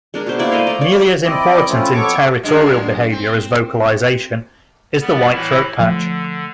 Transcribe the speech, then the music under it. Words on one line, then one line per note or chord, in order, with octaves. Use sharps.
Nearly as important in territorial behaviour as vocalization is the white throat patch.
G#3 D4 A#4
B2 C5
A#3 E4 A#4 D5
A3 D#5 F5
D5 A#5
C#5 D5
C4 E4 D5 D#5
F3 A3 C4 C#4 E4 F4
F2 B3 A4 C#5 C#6 D6
F#2 D3 G#3
C4
G3 B3
A2 E3 E4
D3 F3 A3